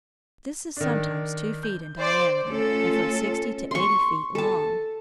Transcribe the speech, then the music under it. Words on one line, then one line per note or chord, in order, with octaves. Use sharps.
This is sometimes two feet in diameter and from sixty to eighty feet long.
D#3 D4
G6
C5 D5
A3 C#4 F4 A4
C6 C#6
A4 A5